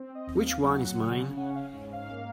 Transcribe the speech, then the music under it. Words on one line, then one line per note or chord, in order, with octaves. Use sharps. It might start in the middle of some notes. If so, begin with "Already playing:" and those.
Which one is mine?
Already playing: C4
D#5
D#2
F5
F#3 F#5
C#3
C#4 F#5
F5
G#2
F5
A#3